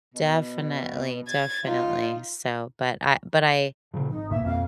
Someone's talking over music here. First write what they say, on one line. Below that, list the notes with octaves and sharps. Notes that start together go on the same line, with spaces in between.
Definitely, definitely, so but I but I
B2
G#6 A6
D#4 F4
A#2 C#3 F3
G#1 D#4
B1 B2 A#3 E5
F2 B3 C4 F5